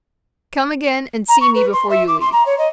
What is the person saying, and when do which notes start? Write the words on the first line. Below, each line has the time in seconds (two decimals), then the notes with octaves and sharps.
Come again and see me before you leave.
1.28 A#5
1.41 C#6
1.55 B4
1.73 C6
1.90 E5
2.07 D6
2.21 C6
2.33 A#5
2.46 C#5
2.58 D#5